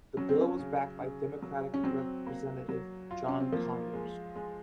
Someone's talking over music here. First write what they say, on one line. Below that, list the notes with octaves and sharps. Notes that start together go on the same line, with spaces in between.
The bill was backed by Democratic Representative John Conyers.
F#3 C#4
C4
C#4
C#3
C#3
F#3
C#4
F#3 C4
A#3
F#3
F4
C#4
C4
F3 A#3
G#3
G#3